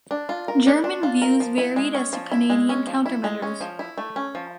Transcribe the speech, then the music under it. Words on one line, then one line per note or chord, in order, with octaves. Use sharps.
German views varied as to Canadian countermeasures.
D4
F4
A#4
D4
D4
F4
A#4
F3
E4
G#3
C#4
F3
E4
G#3
C#4
F3
E4
G#3
C#4
F3
E4
A3
C#4
F3